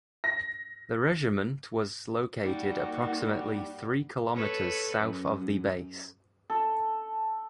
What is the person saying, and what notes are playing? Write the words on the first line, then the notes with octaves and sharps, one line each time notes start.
The regiment was located approximately three kilometers south of the base.
A#6
G3 A#3 D#4 F#4
A4 B4 C#5
F#2
A4